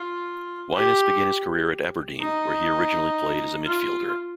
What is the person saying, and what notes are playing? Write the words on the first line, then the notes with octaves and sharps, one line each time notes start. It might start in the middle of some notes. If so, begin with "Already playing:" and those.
Wyness began his career at Aberdeen, where he originally played as a midfielder.
Already playing: F4
G4
D#4
F4